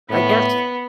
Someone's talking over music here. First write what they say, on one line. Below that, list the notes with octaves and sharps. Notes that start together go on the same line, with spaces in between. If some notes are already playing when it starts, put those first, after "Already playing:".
I guess
A2 B3